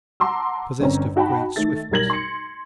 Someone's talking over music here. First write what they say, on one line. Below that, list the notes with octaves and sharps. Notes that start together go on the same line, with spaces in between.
Possessed of great swiftness.
F#5 A5 A#5 C6 D6 E6
G1 C4 C#4 A#5
D#4 F#4 G5 A5 B5
D#3 A3 A4 A6
B1 G3 A#4 G#6 A#6 F#7
C6 C#7